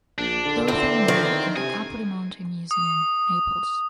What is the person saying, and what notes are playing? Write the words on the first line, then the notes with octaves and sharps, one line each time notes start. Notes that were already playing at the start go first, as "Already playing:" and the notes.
Both are now in the Capodimonte Museum, Naples.
A#1 D4
D3
E2 C4
D#3
C3 G#5
D#6